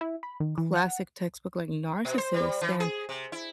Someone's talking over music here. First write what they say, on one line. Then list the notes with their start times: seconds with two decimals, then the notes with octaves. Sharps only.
classic textbook, like, narcissist, and,
0.01 E4
0.23 B5
0.40 D#3
0.58 E3
0.75 F#5
2.05 B2
2.18 C5
2.34 G3
2.61 E3
2.80 G#4
3.09 C3
3.32 E4